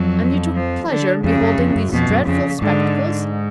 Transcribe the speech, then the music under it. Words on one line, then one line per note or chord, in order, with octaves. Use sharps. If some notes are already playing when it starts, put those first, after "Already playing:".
"And you took pleasure in beholding these dreadful spectacles?"
Already playing: F2 F#3
F3
D3
F2 C#3
F#2
F2
F#2
F2 B2
F#2
F2 C#3
G#2 D3